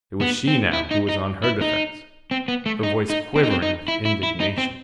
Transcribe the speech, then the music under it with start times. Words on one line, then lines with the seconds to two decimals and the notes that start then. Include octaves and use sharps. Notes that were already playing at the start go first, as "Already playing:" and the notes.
It was she now who was on her defence, her voice quivering with indignation.
0.21 B3
0.48 C4
0.73 E4
0.91 D#4
1.09 D#4
1.44 E4
1.61 D#4
2.31 C4
2.48 B3
2.66 A3
2.83 D#4
3.10 D#4
3.36 C4
3.43 D#4
3.50 C4
3.62 D#4
3.88 E4
4.05 E4
4.23 E4
4.40 D#4
4.58 C4